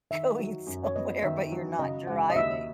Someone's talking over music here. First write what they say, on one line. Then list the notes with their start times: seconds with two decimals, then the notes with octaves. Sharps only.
going somewhere, but you're not driving.
0.11 D#3 E5
0.39 F#3
0.67 F#2
0.84 C#5
0.95 B3 D#5
1.23 D#3 E5
1.52 F#3
1.79 C#3 D#5
2.07 G#3 F#5
2.30 D#5
2.36 D#2 E5